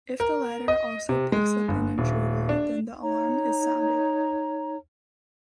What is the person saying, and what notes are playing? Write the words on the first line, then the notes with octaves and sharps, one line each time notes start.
If the latter also picks up an intruder, then the alarm is sounded.
A#4
D#5
C3
G#3
G1
D#1
D4
D#4 C#5 A#5